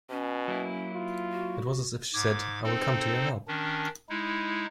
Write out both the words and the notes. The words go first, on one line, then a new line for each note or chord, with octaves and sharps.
It was as if she said, "I will come to your help."
B2 C#4
F#3 A#3 E4
F4
F#4
G#2 D6 G#6
C4 D#4 A4 C5
D#3 C#4 D4
G#3 D#4 E4